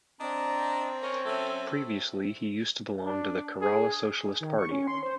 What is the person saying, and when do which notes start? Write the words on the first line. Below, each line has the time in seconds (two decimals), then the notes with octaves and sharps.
Previously he used to belong to the Kerala Socialist Party.
0.21 C4 D4 D#5 A#5
1.03 C#4 A#4 C#5
1.26 F#3 C#4 A4 E5
3.05 D4
3.61 G#4
4.40 D#3
4.58 C#6
4.71 C#4
4.87 C6
5.03 C5